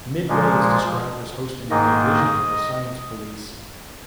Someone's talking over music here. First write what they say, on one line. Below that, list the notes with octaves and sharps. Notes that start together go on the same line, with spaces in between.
Midway is described as hosting a "division" of the Science Police.
A#2 F3 G#3
G#2 D#3 A#3 D#5